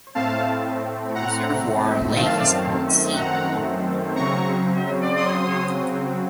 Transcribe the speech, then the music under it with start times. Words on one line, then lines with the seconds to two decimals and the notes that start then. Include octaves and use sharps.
The reservoir lake is called "sea" by local people.
0.15 A2 A3 C4 F5 A5
1.15 F#5 A#5
2.15 F#2 D#3 A3 C4 F5 A5
3.15 F#5 A#5
4.16 C#3 F#3 C4 A#5 C#6
5.16 C6 D#6